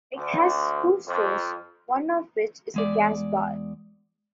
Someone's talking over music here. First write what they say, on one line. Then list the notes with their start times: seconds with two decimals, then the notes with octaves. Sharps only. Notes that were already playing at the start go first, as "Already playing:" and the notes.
It has two stores, one of which is a gas bar.
0.15 D2
1.07 F2
2.74 E2 G#3 D5